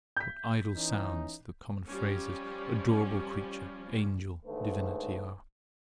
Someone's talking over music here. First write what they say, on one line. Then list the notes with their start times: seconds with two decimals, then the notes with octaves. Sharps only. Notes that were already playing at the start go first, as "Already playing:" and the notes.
What idle sounds the common phrases, adorable creature, angel, divinity, are?
0.17 G6 B6
0.76 E3 C#4 D#4
1.88 F3 G3 C#4 G4
4.46 D#2 G#2 D3 A3 B4